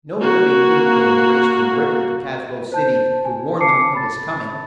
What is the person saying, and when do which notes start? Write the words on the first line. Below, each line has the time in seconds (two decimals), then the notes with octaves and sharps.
No living thing could have raced from Rickett to Caswell City to warn them of his coming.
0.21 A#3 F#4
2.72 C5 A5 G6
3.25 G#5
3.60 A5 D6 C7 C#7
3.93 A5 B5 A6